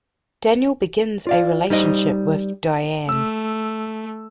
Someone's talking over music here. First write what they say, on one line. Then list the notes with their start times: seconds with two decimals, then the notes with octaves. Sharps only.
Daniel begins a relationship with Diane.
1.27 F4 D5 F5
1.70 G3 D#4 C5 D#5
3.09 A3 E6